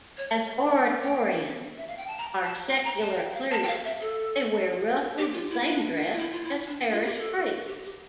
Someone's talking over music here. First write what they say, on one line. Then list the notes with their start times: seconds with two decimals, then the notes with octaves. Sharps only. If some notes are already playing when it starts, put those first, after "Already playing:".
As Oratorians are secular clergy, they wear roughly the same dress as parish priests.
0.17 C#5
0.68 E5
0.85 F5
1.02 G5
1.77 E5
1.87 F5
1.97 G5
2.07 A5
2.18 A#5
2.43 A5
2.68 G5
2.85 A#5
3.01 A5
3.18 G5
3.30 G5
3.35 F5
3.51 A5
3.63 G5
3.68 F5
3.85 E5
4.01 A4
5.18 G4
5.34 F4
5.51 E4
5.67 D4
6.13 F4
6.18 E4
6.32 F4
6.43 E4
6.68 D4
6.92 F4
7.06 G4
7.18 A4
7.68 G4
7.84 G4